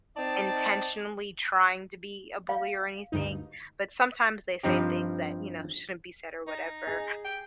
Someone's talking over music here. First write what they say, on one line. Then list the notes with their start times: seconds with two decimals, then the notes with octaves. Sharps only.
intentionally trying to be a bully or anything, but sometimes they say things that, you know, shouldn't be said or whatever,
0.17 C4 D#4 D5 D#5 A5
2.49 F5
3.12 D2 G2 D#4
4.63 G2 F3 C4 D#4 G4
6.47 D#4
6.87 G#4
7.25 G5